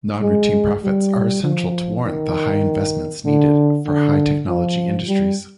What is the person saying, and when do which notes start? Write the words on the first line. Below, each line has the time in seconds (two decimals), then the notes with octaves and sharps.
Non-routine profits are essential to warrant the high investments needed for high-technology industries.
0.22 G#3
0.84 G3
1.43 F3
2.05 D#3
3.26 D3
3.86 D3
4.47 F3
5.07 G3